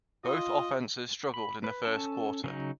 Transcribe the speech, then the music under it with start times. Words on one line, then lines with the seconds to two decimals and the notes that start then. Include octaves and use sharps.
Both offenses struggled in the first quarter.
0.24 F4 D#5
1.34 B5
1.64 B4
1.85 C#4 A4 A5
2.44 C#3 F#3 D#4